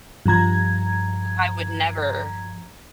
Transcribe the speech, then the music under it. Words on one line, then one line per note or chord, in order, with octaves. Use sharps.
Mm, yeah, I would never
G2 F3 A#5 G#6